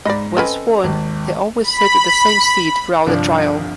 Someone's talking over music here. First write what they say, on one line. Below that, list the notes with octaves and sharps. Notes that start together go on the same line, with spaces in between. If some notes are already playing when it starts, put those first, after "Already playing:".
Once sworn they always sit in the same seat throughout the trial.
G#2 D5 D#5 B5 A#6
C4 C#4 A4 B4 D#5 G#5
G#1 D#2
B5
G1 C2 F3 D4